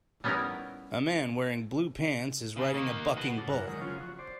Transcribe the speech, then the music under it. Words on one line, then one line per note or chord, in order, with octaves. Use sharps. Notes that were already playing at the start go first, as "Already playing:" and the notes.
A man wearing blue pants is riding a bucking bull.
G3 B3 C#4 D#4 E4 A#4
C#3
D#3 A#3
F#4 B4
G#2 C#3 A4 D6
F#2 E4 A#4 F#5
D#3 F#3 G#3 A#4
C#3 F3 F#3 C#4 F4
F#4
C5 D5